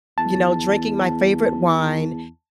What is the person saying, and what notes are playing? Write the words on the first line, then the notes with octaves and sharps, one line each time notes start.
you know, drinking my favorite wine,
E2 A5